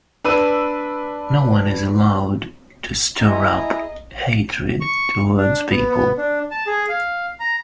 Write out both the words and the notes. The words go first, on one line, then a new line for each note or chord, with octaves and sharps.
No one is allowed to stir up hatred towards people.
D4 B4 E6 D#7
E4 G#4 D#5 A#5
D#5
C#6
D4
B3
B3
D4
A5
G#4
F5
A#5